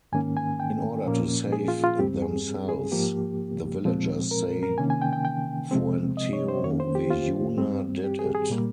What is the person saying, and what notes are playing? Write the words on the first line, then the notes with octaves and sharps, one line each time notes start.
In order to save themselves, the villagers say "Fuenteovejuna did it".
G#2 D#3 A#3 C#4 G#5
G#5
G5
A#2 F3 A#3 C#4
G#4
F4
F4
G2 G3 C4 G4
G#4
G#4
G#2 F3 A#3 G4
A#2 F3 G#3 C4
A#4
A#4
C3 D#3 A#3 C#4 G#5
G#5
G5
G5
G5
C3 F3 G#3 C4
D#5
C#5
C5
F2 D#3 A#3 C#4 C#5
C5
G4
F4
G2 G3 C4
G4
G#4
G#4
A#2 G3 A#3